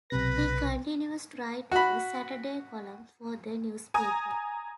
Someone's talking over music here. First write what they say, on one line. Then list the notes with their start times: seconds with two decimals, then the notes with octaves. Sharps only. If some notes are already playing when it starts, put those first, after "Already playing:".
He continues to write a Saturday column for the newspaper.
0.10 B1 C3 B4 A#6
1.72 F#4 B5
3.94 G#5 A#5 D#6